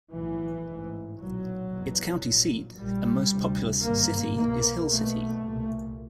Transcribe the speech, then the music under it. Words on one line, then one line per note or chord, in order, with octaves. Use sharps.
Its county seat and most populous city is Hill City.
B1 A2 E3
A1 G#2
B1 A#2 F#3
F#1 E2 B2
A#1 A#2
A#1 A#2 G3
D2 C3
G#1 G2 A#3
C2 B2 A#3
B1 B2 A3
C2 A#2